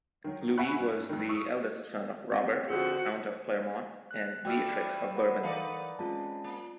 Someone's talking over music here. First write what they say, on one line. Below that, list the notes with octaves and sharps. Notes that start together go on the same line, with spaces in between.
Louis was the eldest son of Robert, Count of Clermont and Beatrix of Bourbon.
D#3 F#3
E5 F#5 G#5 B5 C#6 F#6
G2
G2 D#3
C#6 D#6 E6
C4 G4 F#5
D3 F3 C4 F#4 G#4 F#5
F#6
E3 G3 A3 E4 F#4 G5 E6 F6
A#4 F#5 B5
E3 D#4 A4 B4 D5 F5
G#3 C4 C#4 F4 A5
A#3